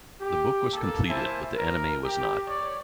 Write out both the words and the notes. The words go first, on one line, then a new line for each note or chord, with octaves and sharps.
The book was completed but the anime was not.
G4
A#3 A4
A#3 E4 C5 E5 G#5 A5
A#4
G4
C#5 D5